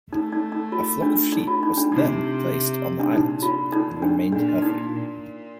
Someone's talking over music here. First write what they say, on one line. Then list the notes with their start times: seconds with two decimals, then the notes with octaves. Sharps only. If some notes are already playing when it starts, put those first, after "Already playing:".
A flock of sheep was then placed on the island and remained healthy.
0.12 A3 D#4
0.32 D#4
0.52 D#4
0.72 F4
1.02 D4
1.32 D#4
1.48 F4
1.63 D#4
1.77 D4
1.92 C3 D#4
2.99 D4
3.13 A#2 D#4
3.42 F4
3.72 D#4
4.02 D4
4.32 A#2 D4
4.62 D#4
4.93 A#2